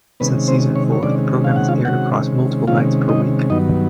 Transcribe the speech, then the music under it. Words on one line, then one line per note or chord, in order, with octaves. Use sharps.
Since season four, the program has aired across multiple nights per week.
C3 D#3 G#3 B3 C#4 B4
C4 C5
C#4 C#5
C#5
C3 D#3 G#3 C#4 D4 D5
F5
F#5
F4 F5
C3 D#3 G#3 C#4 F#4 F#5
C3 D#3 G#3 C#4 F4 F5
D#4 D#5
G2 D#3 F#3 B3 D#4 D#5